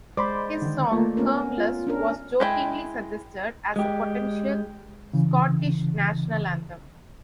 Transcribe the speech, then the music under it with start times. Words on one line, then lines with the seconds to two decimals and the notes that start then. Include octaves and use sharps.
His song "Hermless" was jokingly suggested as a potential Scottish national anthem.
0.17 G#3 C5 D5 B5 C6 D6
0.62 D3 D#3
0.92 A3 A#3 F4
1.17 B3 C#4 A#4
1.58 F4
1.87 C#4 D4 A#4
2.40 G#3 E4 G5
3.76 G#3 G4
5.13 C#3 E3